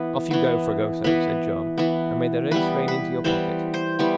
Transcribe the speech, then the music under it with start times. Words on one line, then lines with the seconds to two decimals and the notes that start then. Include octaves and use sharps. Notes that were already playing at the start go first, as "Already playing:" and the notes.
"Off you go, Fragoso," said Joam, "and may the reis rain into your pocket!"
Already playing: E3 B3 B4
0.31 E3 B3
1.04 E3 B3 B4
1.78 E3 B3
2.51 E3 G3 B3 B4
2.88 B4
3.24 E3 G3 B3 C5
3.74 C5
3.99 E3 G3 B3